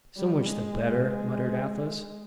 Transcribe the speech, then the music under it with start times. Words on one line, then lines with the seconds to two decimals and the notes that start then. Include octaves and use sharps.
"So much the better," muttered Athos.
0.17 G3
0.45 G#3